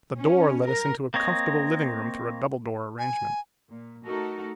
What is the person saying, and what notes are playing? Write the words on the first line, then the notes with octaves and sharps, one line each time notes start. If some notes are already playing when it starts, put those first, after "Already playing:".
The door led us into a comfortable living room through a double door arrangement.
C#4
A#4
A#3 C4 C#5 D#5
G#5
A#2
A3 D#4 F#4 A4 A#4